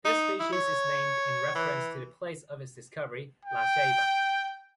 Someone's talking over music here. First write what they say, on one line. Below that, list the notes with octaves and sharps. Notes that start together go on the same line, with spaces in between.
This species is named in reference to the place of its discovery, La Ceiba.
D#4
E4
C#5
E3
G5